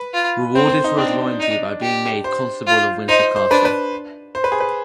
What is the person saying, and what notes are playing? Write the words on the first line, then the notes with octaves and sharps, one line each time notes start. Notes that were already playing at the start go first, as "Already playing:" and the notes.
Rewarded for his loyalty by being made Constable of Windsor Castle.
Already playing: B4
F4
C4 C5
C5
D#4
C4 D4
D#4
G4
C5
F4
D#4 C5
C5
D4 B4
B4
C5
B4
G#4
B4